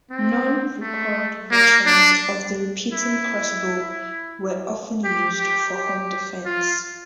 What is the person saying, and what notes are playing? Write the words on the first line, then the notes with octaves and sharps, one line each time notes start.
Non-recurved versions of the repeating crossbow were often used for home defense.
C4
A3
A#3
D4
E4
G4
G4
G4
F4